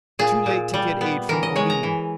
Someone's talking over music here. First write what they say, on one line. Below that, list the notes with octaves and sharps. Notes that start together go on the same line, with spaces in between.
Too late to get aid from Omean.
A#2 G#4
A#2
G3
B3
E3 A#4
D#5
G#3 C#5
A#5
E3